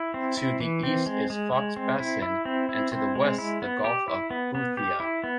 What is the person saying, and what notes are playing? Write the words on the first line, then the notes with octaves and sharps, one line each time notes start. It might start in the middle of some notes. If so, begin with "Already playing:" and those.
To the east is Foxe Basin and to the west the Gulf of Boothia.
Already playing: E4
C4
E4
E3
C4
G#3
G#3
G#3
C4
E4
E4
C4
E4
C4
G#3
E4
B3
G4
E4
B3
B3
G4
E4
B3